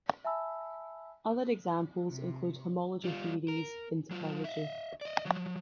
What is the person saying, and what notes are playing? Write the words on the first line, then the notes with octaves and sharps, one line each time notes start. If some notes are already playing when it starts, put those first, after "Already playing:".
Other examples include homology theories in topology.
E5 G#5 A5 B5 E6
C3
G3 F4
A#4
F#3 F4
D#5 E5
D5 D#5
F3 F#3